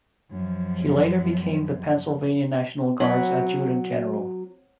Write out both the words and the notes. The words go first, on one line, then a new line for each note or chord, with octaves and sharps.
He later became the Pennsylvania National Guard’s adjutant general.
F#2 F3
F#3 C4 F#4 B5